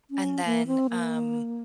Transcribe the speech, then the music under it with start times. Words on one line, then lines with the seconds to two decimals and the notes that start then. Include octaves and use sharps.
And then, um,
0.11 C#4
0.45 A#3
0.67 C4
0.90 A#3